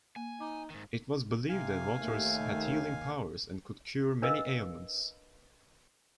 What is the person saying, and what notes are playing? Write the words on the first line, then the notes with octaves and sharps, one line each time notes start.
It was believed the waters had healing powers and could cure many ailments.
A#3 G#5
D#4 D6
G#2 D#3
C3 F5 G#5
D#2 A3
D4 A#4 B4 D#5 F5 E6